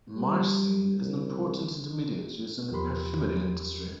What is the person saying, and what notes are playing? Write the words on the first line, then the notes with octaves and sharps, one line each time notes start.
Myrcene is an important intermediate used in the perfumery industry.
G3
C2
E2 F3 G4 A#4 B5 C6